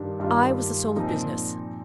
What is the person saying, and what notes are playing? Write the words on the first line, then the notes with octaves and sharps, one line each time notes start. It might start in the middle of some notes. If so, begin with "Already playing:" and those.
I was the soul of business.
Already playing: G2 D#3 G3 D4 F4
G2 D#3 G3 D4 F4
A#2 F3 C4 D#4